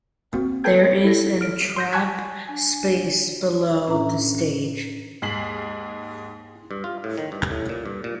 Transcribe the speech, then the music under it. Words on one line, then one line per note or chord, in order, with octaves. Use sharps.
There is an trap space below the stage.
A#3 C4 F#4
A4 B4 G5 A5 G6 G#6
E4 A4 A#6
F6 D7
C6 G6 A#6
G#5 A5 C#6 F#6 G#6 B6
D4 G#5
A2 C#4 D4 E5 A#5
D#2 G#2 G#4 B6 C7 F#7
G2
F4
A2
D#3
G2
A2
A#2
G2
A#2